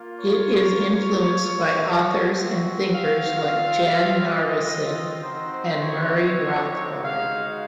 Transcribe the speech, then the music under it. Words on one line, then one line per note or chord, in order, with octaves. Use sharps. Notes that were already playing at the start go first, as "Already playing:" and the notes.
It is influenced by authors and thinkers like Jan Narveson and Murray Rothbard.
Already playing: A#3 F4
C#5
C4 F#4
F5
C4 F4 F5
D#5
C4 D#4 F#4 C5
C5
C#5
G#3 D#4 F#4 F5